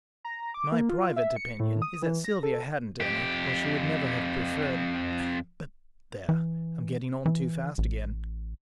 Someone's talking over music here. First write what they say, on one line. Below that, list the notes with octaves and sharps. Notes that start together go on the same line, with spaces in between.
My private opinion is that Sylvia hadn't any, or she would never have preferred--but there, I'm getting on too fast again.
A#5
D6
A#3
F4
E5
C#7
A2
D#6
E3
A#6
A4
F2 G4
E3
E3
A1